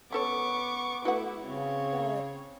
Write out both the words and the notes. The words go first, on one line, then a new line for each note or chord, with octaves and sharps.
Mm. Good
B3 C#4 A4 C#5 C#6 D6
E4 F#4 B4 F#5
C#3 C4 C#5